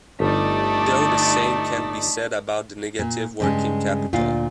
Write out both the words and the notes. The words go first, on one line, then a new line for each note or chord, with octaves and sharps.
Though, the same can't be said about the negative working capital.
G1 G3 A3 D#4 D5
A#2
G2 C#3 G#3
D2 A#2 F4 F5